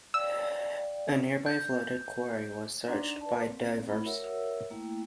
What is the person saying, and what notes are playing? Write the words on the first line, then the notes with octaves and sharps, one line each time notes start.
A nearby flooded quarry was searched by divers.
D5 F5 G5 E6
G6
D4 D#4 D5 F#5 A#5 C6
B4 D5 A5
C4
A3 E4 B5
F#4 A#4 C#5 E5 F#5 E6
A3 A#3 E4 G5